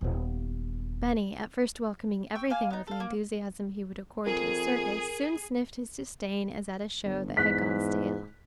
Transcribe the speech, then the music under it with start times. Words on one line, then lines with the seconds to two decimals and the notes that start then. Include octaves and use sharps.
Benny, at first welcoming everything with the enthusiasm he would accord to a circus, soon sniffed his disdain, as at a show that had gone stale.
0.01 D#1 B3
2.35 G5 C#6 E6
2.50 A#3 F5 G#5
2.70 B3 D#4
2.87 A4 F5
3.00 A#3
4.27 F2 G#4 A#4
7.04 G1
7.37 E2 G#2 F#6 B6